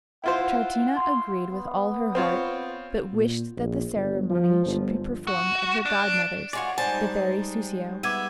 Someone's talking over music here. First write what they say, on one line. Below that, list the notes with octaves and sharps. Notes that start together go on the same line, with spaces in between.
Troutina agreed with all her heart, but wished that the ceremony should be performed at her godmother's, the fairy Soussio.
E4 F4 C5 F#5
C6
B3
C4 F4 C#5
A#2
A#1
G1
F3
G1
F#4
D4
G#3 F4 F#4 C#5 D5
G#2 G3 G#3 D#4 C5 D5 G#5 A5
B3 E5 D6 G#6 D#7